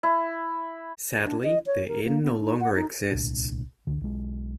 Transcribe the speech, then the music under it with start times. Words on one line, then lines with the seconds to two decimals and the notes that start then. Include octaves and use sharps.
Sadly, the Inn no longer exists.
0.03 E4
1.25 D4
1.44 D#5
1.66 C#5
1.88 A#4
2.05 A#3
2.23 B3
2.41 D#4
2.61 F#5
2.75 D#4
3.11 D1 C2 A#2 D4
3.87 C#2 D3
4.01 B1 G#3